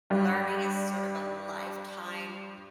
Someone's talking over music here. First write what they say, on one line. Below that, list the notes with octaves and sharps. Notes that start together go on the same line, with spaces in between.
learning is sort of a lifetime,
G2 G3